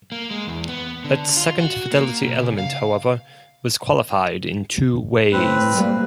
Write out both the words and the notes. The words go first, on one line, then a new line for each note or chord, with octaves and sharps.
That second fidelity element, however, was qualified in two ways.
A#3
G#3
E2
B3
D3
F4
F#4
A#3
B2
C#3
F5
A2 C4 B4
G3 A#3